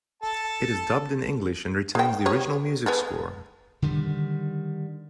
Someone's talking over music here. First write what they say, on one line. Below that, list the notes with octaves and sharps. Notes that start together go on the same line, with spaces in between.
It is dubbed in English and retains the original music score.
A4 A5
G#4 G5
G4 G#4 C#5
B3 G#4 A4
D3 D#3 G3